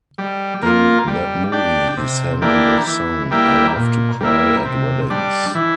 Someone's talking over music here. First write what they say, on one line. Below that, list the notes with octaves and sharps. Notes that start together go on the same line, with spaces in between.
In that movie, he sang the song "I Love to Cry at Weddings".
G3
A#3 F4
G3
D4 G4
C3
E3 A#3 D4 G4
E3
G3 A#3 E4 G4
A#2
G3 A#3 E4
C3
G3 D4
E3